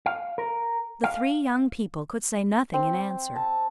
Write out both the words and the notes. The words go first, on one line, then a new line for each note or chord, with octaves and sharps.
The three young people could say nothing in answer.
F5
A#4
F5
C4
A5